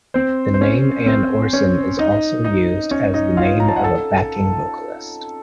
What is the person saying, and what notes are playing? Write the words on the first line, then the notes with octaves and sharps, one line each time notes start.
The name Ann Orson is also used as the name of a backing vocalist.
C4 C5
C5
C#4 C#5
C4 C5
C#4 C#5
D#4 D#5
D#4 D#5
C#4 C#5
D#4 D#5
F4 F5
A#5
A5
F#5
A4 A5